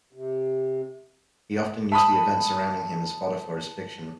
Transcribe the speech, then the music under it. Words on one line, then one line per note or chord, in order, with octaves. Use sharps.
He often used the events surrounding him as fodder for his fiction.
C3
E5 A5 B5 D#6